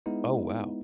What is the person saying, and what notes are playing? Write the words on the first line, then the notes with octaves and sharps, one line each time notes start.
Oh wow.
G#3 B3 D#4 E4